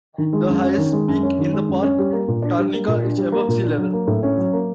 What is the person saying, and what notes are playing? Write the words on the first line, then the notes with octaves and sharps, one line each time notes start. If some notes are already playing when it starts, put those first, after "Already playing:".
The highest peak in the park, Tarnica, is above sea level.
D#3
G#3
F#2
C#4
D#3
G#3
F#2
C#4
D#3
G#3
F#2
C#4
G3
A#3
A#2
D4
G3
A#3
A#2
D4
G3
A#3
A#2
D4
F#3
A#3
A2
C#4
F#3
A#3